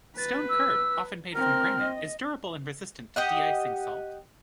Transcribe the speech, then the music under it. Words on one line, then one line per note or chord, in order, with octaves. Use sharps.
Stone curb, often made from granite, is durable and resistant to de-icing salt.
B4 A6
E6
C4 A#4 F6
D#5
G4 D#5 F#5